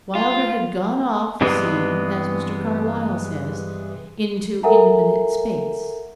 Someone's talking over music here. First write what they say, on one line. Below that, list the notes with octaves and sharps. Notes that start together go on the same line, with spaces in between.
Wylder had gone off the scene, as Mr. Carlyle says, into infinite space.
F4
G2 C3 E3 G#3 B3
A4 A#4 E5 F#5 G#5 A#5